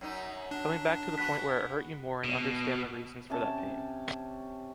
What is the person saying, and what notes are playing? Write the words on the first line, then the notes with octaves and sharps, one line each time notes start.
Coming back to the point where it hurt you more and understand the reasons for that pain.
F#2 F#3 D#4
D4
G#3 B3 F#4 F#6 B6
B2
C3 C#4 A5